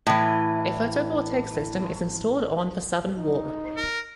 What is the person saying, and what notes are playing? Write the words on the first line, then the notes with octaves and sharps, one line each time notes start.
A photovoltaic system is installed on the southern wall.
A2 E3
D#4
A#4